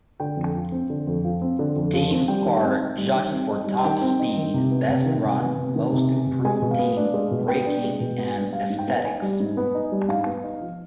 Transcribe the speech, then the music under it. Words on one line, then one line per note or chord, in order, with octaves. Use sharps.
Teams are judged for top speed, best run, most improved team, braking, and aesthetics.
D3 G5
F2
F3
C4
D3
F2
F3
C4
D3
F2
F3
C4
G3 G5
D#3
C4
D#4
G3
D#3
C4
D#4
G3
D#3 G5
C4
D#4
D#3
C3
B3
C3
D#3
C3
B3 G#5
C3
D#3
C3
B3
C3
G#3 G#5
B2
F5
B3
D4
G#3
B2
B3 G5
D4
G#3
B2
B3
D4
G3 F5
G#2
G5
B3
D#4 G#5
G3
G#2
B3
D#4
G3
G#2 F5
B3
D#4
F3